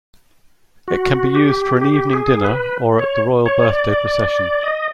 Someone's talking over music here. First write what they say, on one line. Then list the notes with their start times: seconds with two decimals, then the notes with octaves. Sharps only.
It can be used for an evening dinner or at the Royal Birthday Procession.
0.88 F#4
1.35 G4
1.81 G4
2.13 G#4
2.45 B4
2.99 C#5
3.46 C#5
3.69 D5
4.63 D#5